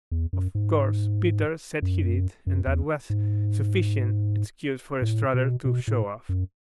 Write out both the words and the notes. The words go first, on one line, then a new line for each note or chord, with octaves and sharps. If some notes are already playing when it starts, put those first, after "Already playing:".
Of course Peter said he did, and that was sufficient excuse for Strutter to show off.
E2
F#2
G#2
F#2
F#2
E2
G#2
A2
B2
B2
A2
F#2